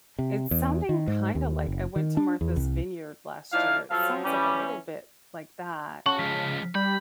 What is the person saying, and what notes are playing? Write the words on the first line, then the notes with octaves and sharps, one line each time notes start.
It's sounding kinda like I went to Martha's Vineyard last year. It sounds like a little bit like that.
C3
E2
D#3
G#2
D#2
F#1
D#3
D4
E2
C2
F3 D#4 E4 D5 F5
F3 F#3 A4 F5
E3 G3 C#4
C#3 F#4 F#5 A5 C#6
F3 G#3 F6 B6
G3 B5 G6